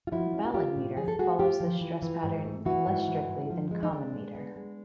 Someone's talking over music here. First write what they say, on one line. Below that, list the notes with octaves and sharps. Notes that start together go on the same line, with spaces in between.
Ballad metre follows this stress pattern less strictly than common metre.
F4
F3 E4 F#4
C#4
F#4
A3 F4 G4
A2
F3 G#4
A4
A3 F#4 G#4
A3 F4 G4
F3
E3
E3
G#2
A3
E3 E4 F#4
G#2
E3
G#2
F3
G#3
D#4
G#3 D4
G#3
B3
G#3